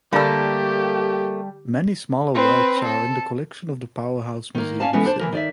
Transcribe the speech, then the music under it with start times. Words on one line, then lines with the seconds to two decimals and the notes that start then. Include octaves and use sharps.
Many smaller works are in the collection of the Powerhouse Museum, Sydney.
0.13 D3 G3 A3 A#3 D4 G4 A4 D5
2.34 C4 B4
2.84 A4
4.55 D#3 A#3
4.80 C#4 D5 F5 A5
4.93 E3 G#3 A3 B3 C#4
5.05 D4 C5 A5
5.19 E3 F3 A#4
5.33 D#3 D5 E5